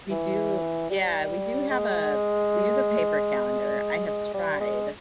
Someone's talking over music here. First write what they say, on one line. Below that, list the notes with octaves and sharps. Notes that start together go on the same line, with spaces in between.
we do Yeah, we do have a we use a paper calendar. I have tried
E3
G3
G#3
G#3
G3
G#3